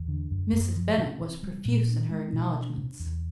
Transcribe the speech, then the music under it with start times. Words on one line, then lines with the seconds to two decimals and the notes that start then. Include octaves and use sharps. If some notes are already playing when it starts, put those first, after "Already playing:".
Mrs. Bennet was profuse in her acknowledgments.
Already playing: E2
0.08 D3
0.31 F#2
0.53 F#2
0.76 F3
0.98 C3
1.21 C3
1.43 G3
1.65 A#2
1.88 D4
2.10 G#3
2.33 B2
2.55 D4
2.77 C3
2.99 E2